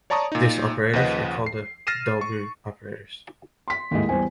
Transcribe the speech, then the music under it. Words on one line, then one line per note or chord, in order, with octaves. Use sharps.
These operators are called the Dolbeault operators.
C#5 D5 A5 A#5 C#6 D#6
A#2 D#4
D#2 C#3 F3 B4 D#5 F#5
C7
F6 A6 A#6 C7 D#7 E7
C#6
C6 B6
D#2 A2 G#3
E2 G3 C5 G#5